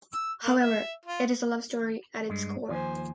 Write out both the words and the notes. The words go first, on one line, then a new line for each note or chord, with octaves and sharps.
However, it is a love story at its core.
E6
A#3
E5
F4
G2 G#3
D#2 F3 C5 G#5